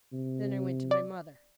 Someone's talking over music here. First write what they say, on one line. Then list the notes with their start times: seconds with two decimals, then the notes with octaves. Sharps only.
Then I went to my mother.
0.13 C3
0.91 D5